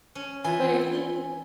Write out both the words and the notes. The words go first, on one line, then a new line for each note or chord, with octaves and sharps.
But it seems like
C#4
E3 F4 G#5